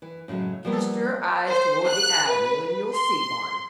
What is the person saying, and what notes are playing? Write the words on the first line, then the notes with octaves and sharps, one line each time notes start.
"Cast your eyes toward the Avenue and you'll see one."
E3
A2 C#3 F3 F#3 G#3
F3 G3 A#3 B3
C5
F#6
B4
C6